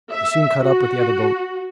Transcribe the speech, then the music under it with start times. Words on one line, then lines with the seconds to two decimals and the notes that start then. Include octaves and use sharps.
We soon caught up with the other boat.
0.12 E5
0.66 F#4